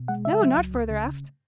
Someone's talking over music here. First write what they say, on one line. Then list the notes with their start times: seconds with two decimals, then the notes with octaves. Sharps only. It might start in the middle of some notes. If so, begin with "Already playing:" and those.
"No, not further aft."
Already playing: B2
0.08 G#3 F#5
0.25 C#3 E5
0.41 F#3
0.58 C#2
0.74 C#2
0.90 C#3